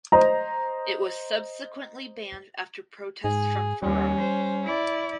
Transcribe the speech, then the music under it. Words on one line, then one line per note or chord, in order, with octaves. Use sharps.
It was subsequently banned after protests from Ferrari.
C5 D#5 A#5
G#2 G#4
D#2 G3 C#4
C5
E4 D5